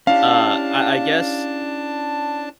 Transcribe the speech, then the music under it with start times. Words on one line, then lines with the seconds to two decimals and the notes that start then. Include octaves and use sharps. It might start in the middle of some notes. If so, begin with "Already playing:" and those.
Uh, I I guess
0.07 C#4 D4 E4 G4 F5 A5